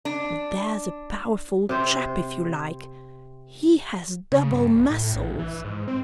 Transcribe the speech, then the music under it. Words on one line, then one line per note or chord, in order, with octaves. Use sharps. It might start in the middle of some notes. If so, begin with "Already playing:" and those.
"Now, there's a powerful chap if you like! he has double-muscles!"
D4
C3 C5
C#3
G2
A#1
A2
A#1
E3
G#2
C4